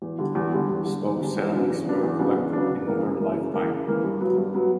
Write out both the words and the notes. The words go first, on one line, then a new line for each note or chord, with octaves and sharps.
Stokes ceramics were collected in her lifetime.
E2
D3 G3
E2
D3 G3
E2
D3 G3
E2
D3 G3
E2
C#3 F#3 B3 D4
E2
C#3 F#3 B3 D4
E2
C#3 F#3 B3 D4
E2
C#3 F#3 B3 D4
C#3
E3 A#3
C#3
E3 A#3
C#3
E3 A#3
C#3
E3 A#3
G2
F#3 B3
G2
F#3 B3